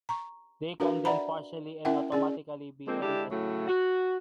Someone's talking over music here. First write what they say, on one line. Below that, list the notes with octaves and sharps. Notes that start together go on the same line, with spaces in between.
They can then partially and automatically be edited.
A#5 C#6
D4 F#4 A#4 B4 F5
D5 E5 F#5 A#5 B5
C#4 E4 A#4 E5 F#5 G5
C#4 G#4 D5
F3 G#3 A#3 C4
D3 G#3 D4 E4 G4
A2 C#3 F#3 A3
F#4